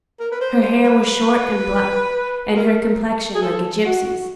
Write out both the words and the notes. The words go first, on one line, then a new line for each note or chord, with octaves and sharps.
Her hair was short and black, and her complexion like a gypsy's.
A#4
B4
C5
C5
B4
A#4
G#4
A4
F#4
F#4